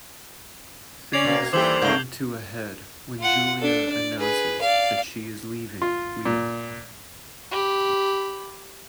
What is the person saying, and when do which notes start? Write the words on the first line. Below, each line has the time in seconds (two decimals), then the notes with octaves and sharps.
Things come to a head when Julia announces that she is leaving Leo.
1.13 C#4 D5 G#6 C7 F7
1.25 B2 A#3
1.53 D#2 E3 G3 G4 A4 C5 D6 F#7
1.82 G2 A3 A#3 G6 G7
3.19 F4 F#5
3.58 D4 A4
3.90 D5
4.19 G#4 B4
4.61 D5 F5
5.82 F4
6.25 A#2
7.51 G4 B5